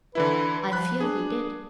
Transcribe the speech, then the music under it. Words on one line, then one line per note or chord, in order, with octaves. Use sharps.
I fear he did.
D3 E3 E4 B4
F3 B5 F#6
D4 G#4